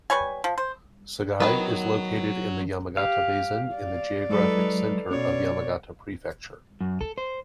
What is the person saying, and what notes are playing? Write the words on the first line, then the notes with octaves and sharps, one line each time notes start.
Sagae is located in the Yamagata Basin in the geographic center of Yamagata Prefecture.
G3 B4 C#5 G#5
F3
C5
D#3 F#3 B3 B4
G4 F5
D5
F#3 G#3 D#4 A4 B4
B2 C#4 C#5 D5
F#2
A4
C5